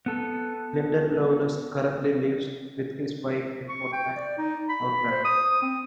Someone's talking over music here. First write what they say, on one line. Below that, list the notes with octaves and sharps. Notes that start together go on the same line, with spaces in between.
Lyndon Lawless currently lives with his wife in Portland, Oregon.
B3 A4
C#6
G5
D5
D#4
B5
C5
D#6
C4